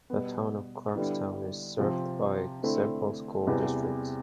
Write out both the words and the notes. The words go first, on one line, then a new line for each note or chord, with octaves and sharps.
The town of Clarkstown is served by several school districts.
B2 G3 B3
D3 G3 B3 E4
C3 F3 C4
D3 A3 C4 E4
E2 C3 G3 B3 E4